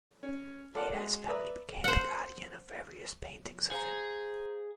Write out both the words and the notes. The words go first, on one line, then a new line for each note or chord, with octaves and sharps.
Later his family became the guardian of various paintings of him.
C#4
F4 A4 A#4 D5 F#5 A5
G#3 F#4
B4 D5 E5 A#5 D#6
C5 F#5
G#4 C5 F5 A#5